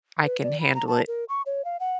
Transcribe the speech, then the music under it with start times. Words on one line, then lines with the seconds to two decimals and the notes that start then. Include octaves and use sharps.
I can handle it.
0.24 B4
0.44 D5
0.60 B5
0.75 A#5
0.87 A5
1.08 A#4
1.29 C#6
1.46 C#5
1.65 F5
1.80 F#5